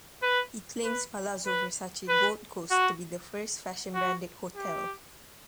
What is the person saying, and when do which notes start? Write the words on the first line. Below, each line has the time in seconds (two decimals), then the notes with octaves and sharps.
He claims Palazzo Versace Gold Coast to be the first fashion-branded hotel.
0.22 B4
0.84 B4
1.46 B4
2.08 B4
2.71 F#4
3.94 F#4
4.56 G4